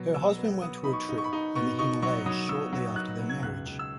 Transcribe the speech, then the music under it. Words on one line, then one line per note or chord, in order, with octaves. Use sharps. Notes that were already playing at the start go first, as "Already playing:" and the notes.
Her husband went to a trip in the Himalayas shortly after their marriage.
Already playing: B2 F#3
B3 E6
B3
B3 D#6
D#4 B5
C#6
D#4
C#6
B5
D#4
B2 C#6
D#4 C#6
F#3 C#6
F#3 D#6
F#3 E6
F#3
D#4 F#6
B2
G#6
C#2 F#6
C#2
E6